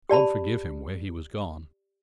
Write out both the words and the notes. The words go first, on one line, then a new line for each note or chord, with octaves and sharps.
God forgive him, where he was gone!
G4 D5 A5 B5